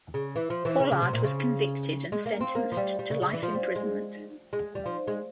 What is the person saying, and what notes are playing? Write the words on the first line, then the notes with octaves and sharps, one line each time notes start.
Pollard was convicted and sentenced to life imprisonment.
C#3
E3
F3
E3
C#3
C#3
C3
A#2
C#3
G#3
A#3
C4
A#3
F3
G3
G3
C#3
C#3
E3
F3
G3
G#3
G#3
G3
F3
G#3